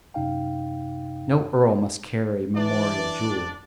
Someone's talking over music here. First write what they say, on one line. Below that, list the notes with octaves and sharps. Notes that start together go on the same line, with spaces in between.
No earl must carry memorial jewel.
F#2 C3 D#4 F5 G5
E3 D4 D5